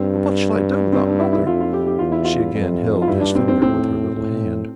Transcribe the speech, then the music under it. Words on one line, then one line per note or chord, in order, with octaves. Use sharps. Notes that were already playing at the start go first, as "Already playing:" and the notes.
"But what shall I do without mother?" She again held his finger with her little hand.
Already playing: G2 C4
C4
D4
E4
E4
F2 F4
F4
G4
G4
E2 F4
E4
F4
F2
F4
G2 E4
D4
C4
C4
A2 C4
A2